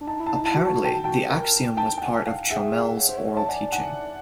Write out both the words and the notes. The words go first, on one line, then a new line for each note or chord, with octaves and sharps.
Apparently, the axiom was part of Chomel's oral teaching.
D4
D#4 A5
E4
A5
D#4
E4 A5
F#4
A5
G5 A5
F#4 G5 A5
G4
A#4
A#4
G5 A5
G5
F#5 G#5
F5 G5
G#4 E5 F#5
C#5
C5
C#5
A5
D5 F#5 G#5
F#5 G#5